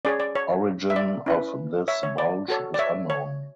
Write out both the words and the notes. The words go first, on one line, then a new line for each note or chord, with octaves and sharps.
Origin of this bulge is unknown.
C#4 G#4 C#5 D5
D5
C#5
E5
D5
C#4 E4 B4
C#5 E5
C#5
D5
F#4 A4 C#5
D5
C#5 E5
C#5